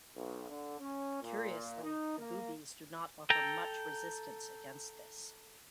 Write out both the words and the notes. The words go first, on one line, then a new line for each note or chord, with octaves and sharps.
Curiously, the boobies do not offer much resistance against this.
B1
D3
C#4
A#2
D#4
A#3
A4 G5 A#5